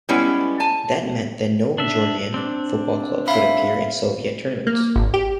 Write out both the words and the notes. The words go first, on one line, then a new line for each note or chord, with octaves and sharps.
That meant that no Georgian football clubs would appear in Soviet tournaments.
G3 G#3 B3 C#4 E4
G#5 A5
D4 E5
C4 D4
E5 F5 B5
A#3
G#1
G4